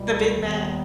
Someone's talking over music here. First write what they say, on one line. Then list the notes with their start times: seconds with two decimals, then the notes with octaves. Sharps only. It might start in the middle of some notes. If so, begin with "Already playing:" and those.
The Big Mac?
Already playing: C#2 B2 G3
0.34 D#2 D#3 G3 B3